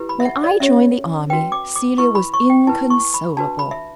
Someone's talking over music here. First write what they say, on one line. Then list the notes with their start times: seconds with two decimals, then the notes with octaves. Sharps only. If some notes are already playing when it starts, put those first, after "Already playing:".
When I joined the Army, Celia was inconsolable.
Already playing: E4 G4 B4
0.09 B5
0.20 E5
0.25 F#5
0.44 D5
0.60 C#4 G4 C#5 E5
1.30 F#4 B4 G5
1.52 D6
1.76 D6
1.98 E4 B4 C#6
2.15 B5
2.34 C#6
2.50 G5
2.67 E4 B4 A5
2.90 C#6
3.14 B5
3.37 D4 F#4 B4 A5
3.59 B5
3.71 E5